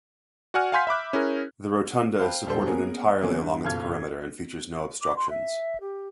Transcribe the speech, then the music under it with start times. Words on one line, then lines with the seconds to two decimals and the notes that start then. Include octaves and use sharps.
The rotunda is supported entirely along its perimeter and features no obstructions.
0.54 F#4 D5 F#5 G#5 F6
0.72 F5 F#5 G#5 C6 G6 B6
0.87 E5 B5 D6 F#6
1.13 C#4 E4 G#4 A#4
2.19 C5 F5 G5 A5 B5
2.46 E1 A#1 G3 A4 C5
2.66 A#3 B3 C#4 G#4 A#4
3.22 C#3 E3 F#3 A#3 B3 C#4
3.41 G2
3.64 F#1 B1 F4 A4 F6 G#6
5.02 D6
5.16 C6
5.29 E5
5.80 G4